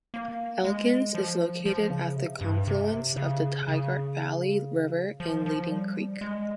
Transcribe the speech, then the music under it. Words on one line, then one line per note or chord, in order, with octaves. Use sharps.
Elkins is located at the confluence of the Tygart Valley River and Leading Creek.
A#3
G#3
F3
F3
C#3
C3
G2
C3
C#3
C#3
F3
F3
G3
G#3